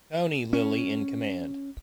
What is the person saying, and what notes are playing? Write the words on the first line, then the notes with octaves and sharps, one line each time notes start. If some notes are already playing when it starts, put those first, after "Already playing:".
"Tony" Lilly in command.
C#4